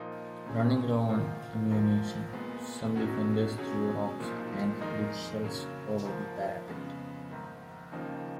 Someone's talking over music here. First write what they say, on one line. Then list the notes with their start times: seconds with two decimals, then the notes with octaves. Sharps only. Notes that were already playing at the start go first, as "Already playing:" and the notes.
Running low on ammunition, some defenders threw rocks and lit shells over the parapet.
Already playing: A#2 F3 A#3 D#4
0.46 A#2 F#3 C#4 G#4
1.09 G#1 G#2 D#3 A#3 F4
1.71 A#1 G#2 F3 A#3
2.33 A#2 G#3 B3
2.96 B1 B2 F#3 C#4 F#4
3.58 B2 F#3 C#4 G#4
4.19 B1 A#2 F3 A#3
4.81 F2 D#3 G#3 D#4 A#4
5.44 C#3 F#3 A#3 C#4
6.05 G#2 F3 A#3
6.68 F2 C#3 G#3 B3
7.30 A#1 G#2 D#3
7.92 D#2 C#3 F3 A#3 D#4